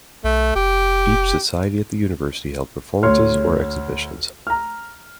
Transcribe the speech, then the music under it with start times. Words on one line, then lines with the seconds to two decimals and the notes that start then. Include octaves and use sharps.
Each society at the university held performances or exhibitions.
0.24 B1 A3
0.56 F1 G4
3.03 D2 C#5 C6 F6
4.47 A#5 F6